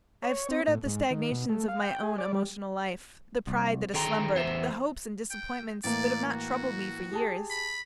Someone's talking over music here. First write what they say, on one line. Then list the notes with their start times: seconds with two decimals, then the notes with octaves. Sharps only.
I have stirred up the stagnations of my own emotional life, the pride that has slumbered, the hopes and disappointments that have not troubled me for years.
0.23 C#5
0.49 C4
0.67 A2
0.86 G#2
1.11 D#3
1.31 B2
1.49 A3
1.68 F5
1.83 G5
2.03 G#4
2.18 D5
2.33 G3
3.47 C2
3.94 D3 D#3 G#4 G5 A#5 C6
4.35 E2 C5 E5
5.31 G5
5.84 A2 E3 A#3 D5
6.32 F#4
7.11 G4 G#4 A5
7.50 B5